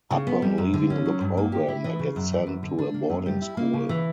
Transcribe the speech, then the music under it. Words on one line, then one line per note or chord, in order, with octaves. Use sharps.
Upon leaving the program I get sent to a boarding school.
C#3
B3
G3
F#2
D3
C#4
F#3
G2
A#3
G4
E4
E3
C#3
F#2
E3
F#2
D3
D4
A#3
F#2
G3
E4
A#3
C#3
E3